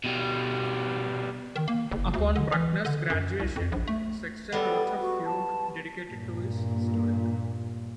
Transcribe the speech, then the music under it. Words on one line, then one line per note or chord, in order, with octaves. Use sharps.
Upon Bruckner's graduation, Sechter wrote a fugue dedicated to his student.
B2 G3
D#3
A#3
F#1
D2
D3
E3
D3
F#2
C2
F2
A#1
A3
G3 B3 A4
F#4
A5
G2 A#2